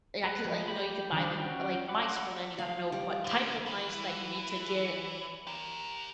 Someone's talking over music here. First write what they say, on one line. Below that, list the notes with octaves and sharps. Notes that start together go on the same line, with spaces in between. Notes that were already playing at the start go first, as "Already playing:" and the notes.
yeah, 'cause, uh, you know you could buy like like, mice for them, you gotta know what type of mice that you need to get,
B4
F3
G4 B5
D#3 F3 G3 D4
C#4 F#4 G5
D5 F#5 B5 D6
F5
G3
D3
E3
G4 A#4